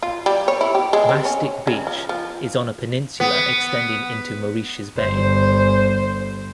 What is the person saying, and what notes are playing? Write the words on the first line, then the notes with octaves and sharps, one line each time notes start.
Mastic Beach is on a peninsula extending into Moriches Bay.
F4
G3
C#5
E4
G4
G#3
C4
C#4
C#3
F3
F3
B3
G1 C5